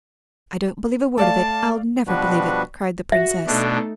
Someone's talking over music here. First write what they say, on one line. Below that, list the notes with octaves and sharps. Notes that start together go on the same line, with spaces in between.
"I don't believe a word of it,--I'll never believe it," cried the Princess.
A3 D5 F5 A5
B2 F3 G3 D4 F#4 B4
F#4 E5
B2 A3 D4 D#4 A4